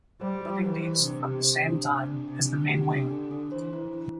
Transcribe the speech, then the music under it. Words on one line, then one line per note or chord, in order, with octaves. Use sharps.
The building dates from the same time as the main wing.
G3 C5
G4
E3 C5
C5
C3 D4
G4
C5
D4
C3 D4
D4
C3 D4
D4
C3 G4
D4
D3 D4
D4
E3 C5
E4
E4